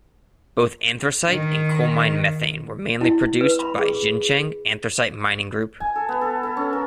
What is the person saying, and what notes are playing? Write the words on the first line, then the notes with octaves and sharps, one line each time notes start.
Both anthracite and coal mine methane were mainly produced by Jincheng Anthracite Mining Group.
D#3
E4
B4
B5
G#4
G#5
A4
B3
A4
A4
C#4
A#4